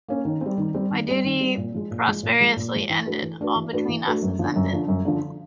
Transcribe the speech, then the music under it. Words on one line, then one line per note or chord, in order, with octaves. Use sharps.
My duty prosperously ended, all between us is ended.
A#3 C#4
D#3
G3 C4
D#3
G3 C4
D#3
G3 C4
D#3
G3 C4
A#2
F3 G#3
A#2
F3 G#3
A#2
F3 G#3
A#2
F3 G#3
E3
A3 D4 F#4 B4
E3
A3 D4 F#4 B4
E3
A3 D4 F#4 B4
E3
A3 D4 F#4 B4
F#2
D3 F3
F#2
D3 F3
F#2
D3 F3